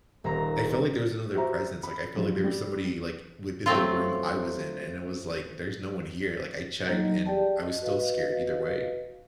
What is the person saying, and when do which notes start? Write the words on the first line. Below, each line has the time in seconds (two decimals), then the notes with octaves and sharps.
I felt like there was another presence, like, I felt like there was somebody, like, within the room I was in, and it was like, "There's no one here, like, I checked," and I was still scared either way.
0.24 D#1 C4 A#5
1.34 F#4 G4 C5 E5 A#5
1.83 B5
2.16 G2 F3 F#3
2.44 G3
3.66 F#3 A3 C4 F4
6.86 F#3 G3 A#3 D#4 D#5
7.26 G4 G#4 D5 G5 A5
7.63 D#5
7.82 F#4 B4 D#5 F5